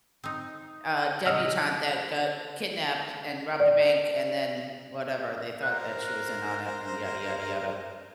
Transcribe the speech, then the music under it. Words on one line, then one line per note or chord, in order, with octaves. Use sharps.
uh, debutante that got kidnapped, and robbed a bank, and then, whatever. They thought that she was in on it, and yada, yada, yada.
C4 D#4
C3 D#3 D#5 E6 F6
D5
A#4 C5 F#6